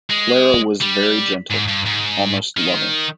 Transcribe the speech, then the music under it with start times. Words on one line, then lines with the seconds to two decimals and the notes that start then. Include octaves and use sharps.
Clara was very gentle, almost loving.
0.10 G#3
0.81 G3
1.51 G#2
1.69 G2
1.87 G#2
2.57 D#3